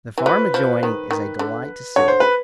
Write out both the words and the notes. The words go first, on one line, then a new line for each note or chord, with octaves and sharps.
The farm adjoining is a delight to see.
E3
F3 B4
F3
D#3
D#3
D3
D3 C#5
C5
B4